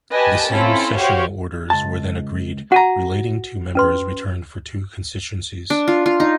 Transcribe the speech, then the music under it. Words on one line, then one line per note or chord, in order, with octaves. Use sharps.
The same sessional orders were then agreed relating to members returned for two constituencies.
G4 B4 D#5 G#5 A5
C4 C#4 E4 F4 A4
F#4 G4 C5 C#5 F5
C#2 A5
F#4 F#5 G#5 A#5
C#4 B4 C6
D4
F4
F4
D#4